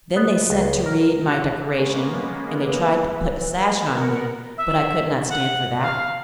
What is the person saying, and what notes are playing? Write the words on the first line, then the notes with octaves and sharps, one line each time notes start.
Then they sent to Reid my decoration, and they tried to put a sash on me, but I could not stand for that.
B3
C#2
A#4
F#4
G#3 A#3 B3 C#4
E3
B3 A#4 F#5
E5
F#5
F5